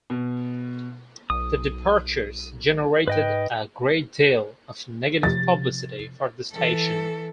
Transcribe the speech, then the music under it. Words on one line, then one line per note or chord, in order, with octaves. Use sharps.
The departures generated a great deal of negative publicity for the station.
B2
B1 D#6
G#2 B4 D#5 G5
C3 F3 A6
E3 A4